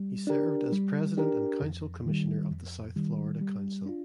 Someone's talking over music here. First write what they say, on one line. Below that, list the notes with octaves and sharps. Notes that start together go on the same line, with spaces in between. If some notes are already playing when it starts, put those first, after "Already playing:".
He served as president and council commissioner of the South Florida Council.
Already playing: G3
D4 G4 A#4
G3
D4 G4 A#4
F2
D#3 G3
F2
D#3 G3
G3
D4 F4